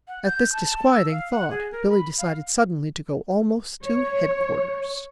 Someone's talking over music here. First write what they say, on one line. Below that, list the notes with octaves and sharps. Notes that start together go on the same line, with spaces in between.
At this disquieting thought Billy decided, suddenly, to go almost to headquarters.
F#5
G6
A5
A5
E6
F5
F#5
G#4
A#4
B5
F5
C#5